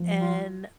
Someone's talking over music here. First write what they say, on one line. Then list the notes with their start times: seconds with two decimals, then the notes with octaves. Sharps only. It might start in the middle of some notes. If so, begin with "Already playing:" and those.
And m
Already playing: F3
0.21 F4